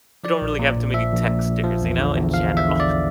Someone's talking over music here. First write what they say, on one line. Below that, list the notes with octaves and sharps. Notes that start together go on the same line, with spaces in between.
we don't really have too many texters, you know, in general.
F3 D5
A#1
A#2
A#1
F3 E5
A#1
A#2
A#1
F3
E2
D3
E2
F3 F5
E2
E5
D3
D5